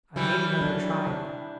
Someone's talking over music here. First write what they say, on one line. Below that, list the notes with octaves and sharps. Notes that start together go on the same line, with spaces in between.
I made another trial.
E3 F#3 G3
D4
D4